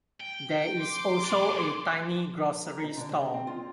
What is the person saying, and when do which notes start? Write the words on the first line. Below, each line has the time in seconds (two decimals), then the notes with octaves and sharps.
There is also a tiny grocery store.
0.21 G5
0.80 C6 D6
1.25 D4 G#4
2.65 A#5
2.84 D#4
2.97 D3
3.12 G#4
3.34 C4
3.47 F4